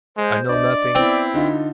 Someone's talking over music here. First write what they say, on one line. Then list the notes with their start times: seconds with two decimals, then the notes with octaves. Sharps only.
I know nothing.
0.17 G#3 C5
0.49 D4 D5 D#5
0.95 B3 C4 E4 G5
1.34 D3 D#4 F4